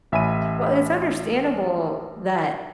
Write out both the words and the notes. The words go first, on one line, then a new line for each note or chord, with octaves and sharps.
Well, it's understandable that,
A1 E5 G#5 B5 D#7